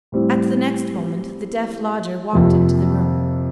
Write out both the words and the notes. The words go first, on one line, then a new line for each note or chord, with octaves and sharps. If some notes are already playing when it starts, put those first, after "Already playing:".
At the next moment, the deaf Lodger walked into the room.
A2 G3 C4 E4
F2 C3 F3 A#3